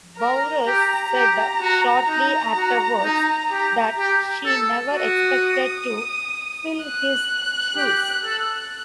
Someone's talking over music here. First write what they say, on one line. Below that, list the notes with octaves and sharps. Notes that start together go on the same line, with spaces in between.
Bowers said, shortly afterwards, that she never expected to "fill his shoes".
A#4 A#5
G4
G4
F#4
D#4
F#4
D#4
G4
G4
A4
F#4 D#6
F#6
G4
A4